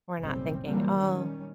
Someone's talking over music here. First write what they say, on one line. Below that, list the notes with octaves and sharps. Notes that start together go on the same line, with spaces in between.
we're not thinking, "Oh,
F#1 B1 A2 C#3 G3 C4
A#2 E3 F#3 G3 A#3 C4
D#3 G3 C#4